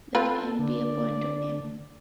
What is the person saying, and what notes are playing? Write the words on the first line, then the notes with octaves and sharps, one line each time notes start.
Let "m" be a point on "M".
C4 F4 A4 B4
D3 D5